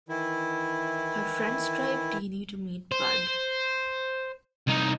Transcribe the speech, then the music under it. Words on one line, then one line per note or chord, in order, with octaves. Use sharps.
Her friends drive Deanie to meet Bud.
D#3 E3 E4
C5
C2 D#4